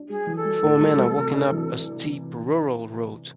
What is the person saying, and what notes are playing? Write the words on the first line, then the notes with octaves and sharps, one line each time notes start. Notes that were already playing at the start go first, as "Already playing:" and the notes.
Four men are walking up a steep rural road.
Already playing: D4
G3 G#4
E3
A4
G3
A2
G3
G3
C3
D4
E3